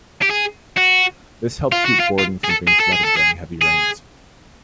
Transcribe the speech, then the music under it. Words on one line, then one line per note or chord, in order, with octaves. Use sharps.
This helped keep Borden from being flooded during heavy rains.
G4
G#4
F#4
F4
F#4
F4
F4
G#4
A4
G#4
A4
G#4
A4
G#4
G#4